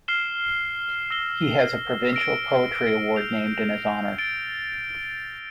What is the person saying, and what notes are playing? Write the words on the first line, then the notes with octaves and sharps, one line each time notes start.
He has a provincial poetry award named in his honour.
F6 C7 E7 G7
E6 A#6 E7 G7
E6 A#6 D7 G7
G6 C7 F7
A6 D7 G7